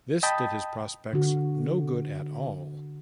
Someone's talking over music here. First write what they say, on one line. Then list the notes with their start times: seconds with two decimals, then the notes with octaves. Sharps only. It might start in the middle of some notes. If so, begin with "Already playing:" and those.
This did his prospects no good at all.
0.23 D#5 G5 A5 B5 D#6
1.13 D3 F#4